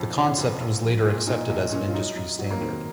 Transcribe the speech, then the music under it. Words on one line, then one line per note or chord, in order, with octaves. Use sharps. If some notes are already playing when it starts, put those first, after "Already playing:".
The concept was later accepted as an industry standard.
Already playing: F2 F3
C#3
F2
A#1
F3
A#2
A#2 D#4
A#1 D#4
A#2 C#4
F4
F#2 D#4
F#2
F#3
A#3
D#3 C4